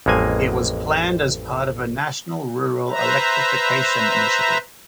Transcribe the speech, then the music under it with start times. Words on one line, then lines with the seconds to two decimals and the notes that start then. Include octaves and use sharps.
It was planned as part of a national rural electrification initiative.
0.06 A1 F2 G#3 A#3 G#5
2.90 B4 C5 E5 A#5